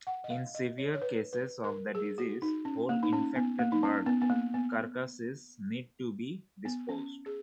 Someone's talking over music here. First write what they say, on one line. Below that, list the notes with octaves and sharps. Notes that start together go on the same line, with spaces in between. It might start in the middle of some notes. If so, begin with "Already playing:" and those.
In severe cases of the disease whole infected bird carcasses need to be disposed.
F#5
D#5
F5
D#5
C#5
C#5
B4
B4
A#4
G#4
F#4
D#4
C#4
A#3
D#4
C#4
B3
A#3
D#4
C#4
B3
B3
A#3
B3
B3
C#4
G#4